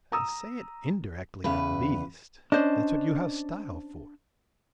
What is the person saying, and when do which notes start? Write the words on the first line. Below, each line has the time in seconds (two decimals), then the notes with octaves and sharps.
Say it indirectly, at least; that's what you have style for.
0.12 A#5 D#6 E6
1.44 E2 C#3 B4
2.52 C#4 D4 C5 D#5